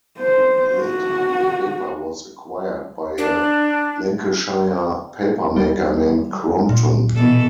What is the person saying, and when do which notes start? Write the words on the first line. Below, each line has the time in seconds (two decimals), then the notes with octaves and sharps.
Later the paper was acquired by a Lancashire papermaker named Crompton.
0.18 C5
0.75 F#4
3.18 D4
5.56 G3
6.69 A#2
7.15 B2 E3 A4